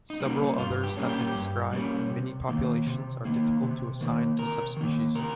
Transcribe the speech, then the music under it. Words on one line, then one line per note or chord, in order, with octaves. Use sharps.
Several others have been described and many populations are difficult to assign to subspecies.
D#4
G3 A#3 C#4
G2 F4
G4
G3 A#3 C#4
G4
G2
G3 A#3 C#4
C3
D#3 A#3
C3
D#3 A#3
C3
D#3 A#3
C3 A#4
D#3 A#3
C3 A#4